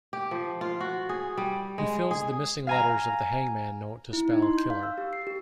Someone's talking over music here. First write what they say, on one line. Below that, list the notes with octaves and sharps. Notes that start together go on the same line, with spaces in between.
He fills the missing letters of the hangman note to spell killer.
G4
F3
F4
F#4
G#4
G3
G#3
G#4
F5 G#5 A#5
E4
D#4
C6
G6
F5
E6
G4
C7
G4